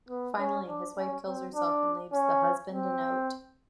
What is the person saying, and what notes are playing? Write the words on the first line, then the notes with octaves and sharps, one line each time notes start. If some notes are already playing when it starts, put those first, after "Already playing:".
Finally his wife kills herself and leaves the husband a note.
B3
C#4
D4
C#4
C4
D4
C#4
C4